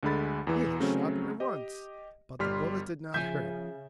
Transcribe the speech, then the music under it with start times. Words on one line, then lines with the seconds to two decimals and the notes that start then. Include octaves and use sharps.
He has shot me once, but the bullet did not hurt.
0.03 D2 D3 G#3 B5 A6
0.47 E2 E3 B3
0.80 C#3 F#3 A3 C4 C#4
1.40 G4 D#5
2.39 G1 G3 C6 F6 B6
3.14 C#3 F3 E5 G#5 G6